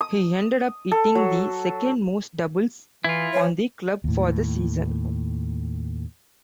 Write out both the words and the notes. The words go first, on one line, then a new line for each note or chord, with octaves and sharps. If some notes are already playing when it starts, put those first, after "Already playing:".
He ended up hitting the second-most doubles on the club for the season.
D#6
A4
F#3
E3 E4 F4
E3 C#5
D#2 A2